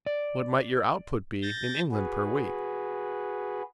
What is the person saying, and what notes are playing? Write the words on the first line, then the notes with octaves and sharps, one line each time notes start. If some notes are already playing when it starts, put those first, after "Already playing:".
What might your output be in England per week?
D5
G6 A6 A#6
F#4 G#4 B4